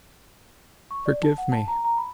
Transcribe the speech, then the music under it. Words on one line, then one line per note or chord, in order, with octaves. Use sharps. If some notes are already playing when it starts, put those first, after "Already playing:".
"Forgive me!"
C#6
D5
A5
F#5
A5
A#5
A#5
B5